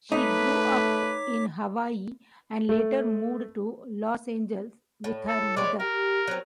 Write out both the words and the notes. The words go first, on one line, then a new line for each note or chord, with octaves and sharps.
She grew up in Hawaii and later moved to Los Angeles with her mother.
A3 D#4 B4 C#5 D6 B6
A3
A2
A4
G#3 B4 C#5 D5
G4 A#4
F#3 C4